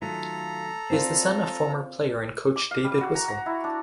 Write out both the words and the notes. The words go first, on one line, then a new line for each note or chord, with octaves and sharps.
He is the son of former player and coach David Whistle.
D#3 F#3 A3 F4 A4 A#5
C4 F4 C5 D5
D6
F5
G3
F#4
A#5
A#5
E4
D4